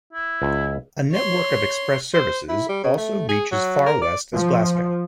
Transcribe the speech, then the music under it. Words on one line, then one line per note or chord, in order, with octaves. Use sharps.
A network of express services also reach as far west as Glasgow.
E4
C#2
C#5 C6
C5
E4
G3
C#3
A3
G#4
F#3
A#4
D5
F3